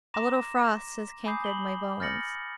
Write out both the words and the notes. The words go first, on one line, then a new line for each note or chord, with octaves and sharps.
A little frost has cankered my bones.
A#5 C6 D6 A#6 E7
G#5 B5 D6 D#6 G6 C7
B5 F#7 G7
F6 G6 A6 A#6 C#7 F#7